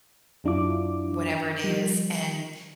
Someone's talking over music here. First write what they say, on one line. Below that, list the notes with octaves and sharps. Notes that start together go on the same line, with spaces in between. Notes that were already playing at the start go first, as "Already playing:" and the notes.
whatever it is, and
F#2 F#3 D4 E4 F4 D6
F3 G3